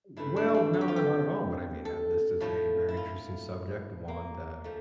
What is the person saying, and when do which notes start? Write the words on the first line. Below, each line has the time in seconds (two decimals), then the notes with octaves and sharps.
Well, no, no, not at all. But I mean, uh, this is a very interesting subject. One that
0.17 G2 E3 A3 E4
0.36 D4
0.48 D4
0.54 C4
0.73 A4
0.81 G4
0.88 F4
0.96 G4
1.85 A4
2.40 A2 F3 A3
2.88 E4
2.97 F4
4.08 A#3
4.64 F3 A3